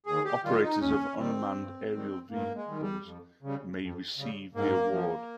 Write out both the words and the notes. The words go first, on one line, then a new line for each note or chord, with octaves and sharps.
Operators of Unmanned aerial vehicles may receive the award.
D#2 G#4
G4
D#3 G3 F4
D#4
D#2 C#4
D#3 G3 C4
G2
D#3 G3
G2 A#3
G#3
D#3 G3
G3
F2
C#3 G3
F2
C#3 G3
G#2 A#3
F3